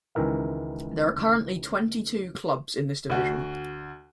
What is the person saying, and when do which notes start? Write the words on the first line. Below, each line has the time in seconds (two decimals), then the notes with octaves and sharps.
There are currently twenty-two clubs in this division.
0.15 C#2 D#3 E3 A#4 E5
3.10 D2 F#4